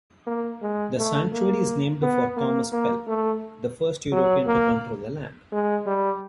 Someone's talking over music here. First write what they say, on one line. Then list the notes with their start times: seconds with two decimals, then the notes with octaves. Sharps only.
The Sanctuary is named for Thomas Pell, the first European to control the land.
0.27 A#3
0.62 G#3
0.97 A3
1.32 A#3
2.02 B3
2.37 A#3
2.72 A#3
3.07 A3
4.12 F#3
4.47 A#3
5.52 G#3
5.86 G3